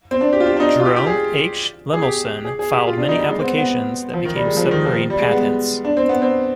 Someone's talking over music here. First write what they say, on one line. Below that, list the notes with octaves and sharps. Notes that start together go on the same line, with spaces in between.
Jerome H. Lemelson filed many applications that became submarine patents.
C4
D4
G4
F4
G4
D4
D#4
F4
G4
G4
G#4
G#4
G4
G#4
G#4
G4
F4
D4
D#4
G3
G#3
C4
B3
B3
F3
D#3
G3
G#3
F3
D#3
F3
G3
G#3
B3
D4
C4
B3
C4